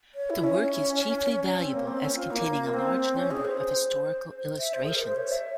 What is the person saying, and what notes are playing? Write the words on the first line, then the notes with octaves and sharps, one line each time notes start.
The work is chiefly valuable as containing a large number of historical illustrations.
C#5
E4
C#4
C#4
C4
A#3
C4
C#4
F4
A#3
C4
C#4
G#4
C5
E5
C5
G#4
A#4
C5
C#5
E5